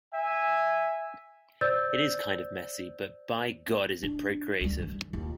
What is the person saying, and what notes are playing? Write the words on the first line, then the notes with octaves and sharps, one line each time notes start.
It is kind of messy, but by God it is procreative!
E5 G#5
C5 D5 E6 G6 A6
D4
D2 G3
D#3 E3
D#2 F4